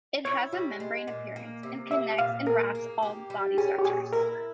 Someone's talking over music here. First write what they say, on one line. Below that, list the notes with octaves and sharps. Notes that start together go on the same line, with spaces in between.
It has a membrane appearance, and connects and wraps all body structures.
E4 C#5
G3
G#3
A#2
A#3
C3
A#3 E5
A#2 F5
G#4 A#4
A#3
G4
G3
C#4 G#4
G4
A#2 G#4
E4 A#4